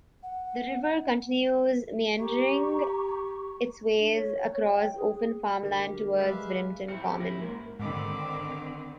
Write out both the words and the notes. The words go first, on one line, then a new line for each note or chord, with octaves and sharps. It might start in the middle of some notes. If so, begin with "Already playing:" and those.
The river continues meandering its way across open farmland towards Brimpton Common.
F#5
G4 A#5 C#6
D4
C#5
G5
G#4
D2 G4 G#4 A#4
G#3 B4 E5 F5
C4 E4 C#7
F#4 G4
A#3 C#4 D#4 E4 A#6
G#2 A#4
G#2 D3 D#3 C4 B5 D6